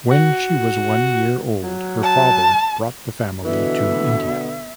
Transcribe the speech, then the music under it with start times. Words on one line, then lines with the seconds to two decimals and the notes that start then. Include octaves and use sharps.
When she was one year old, her father brought the family to India.
0.11 F#4
1.63 F#3
2.03 A5
3.44 B2 D3 E3 B3 E5